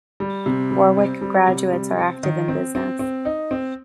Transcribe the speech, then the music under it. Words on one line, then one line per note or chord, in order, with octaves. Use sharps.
Warwick graduates are active in business.
G3
C3
G3
C4
G3
C3
G3
C4
D#3
C4
C4
C4
D#4
C4